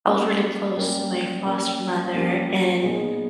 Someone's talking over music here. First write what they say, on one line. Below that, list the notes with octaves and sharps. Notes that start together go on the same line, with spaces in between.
I was really close to my foster mother, and,
G3 A#3 C#4 G4
G3 A#3 C#4 G4
G3 A#3 C#4 G4
G3 A#3 C#4 G4
A#2 G#3 B3 D#4 G#4